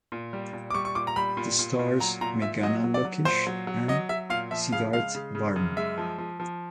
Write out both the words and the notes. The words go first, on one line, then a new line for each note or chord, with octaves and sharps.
It stars Meghana Lokesh and Siddharth Varma.
A#2
G3
A#2
D6
G3 C#6
C#6
A#2 D6
A#5
G3 B5
A#2
A#2
A#2
F#3 A#5
A#2 A#5
A#2 E5
F#3 D#5
F#3
D5
F#3
A#2 C5
F#3
F#3
F#3 D#5
F#3 E5
A#2 F5
F3 E5
C#3 F5
G#3 F5
C#3
C#3
F#2
G#3 E5
F3
F3
F3